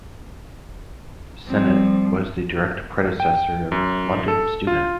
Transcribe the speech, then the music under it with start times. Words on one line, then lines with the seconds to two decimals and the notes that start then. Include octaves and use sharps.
"Sennet" was the direct predecessor of "London Student".
1.48 F3 G3 C4
3.20 G5
3.72 F#2
4.28 A4
4.67 F4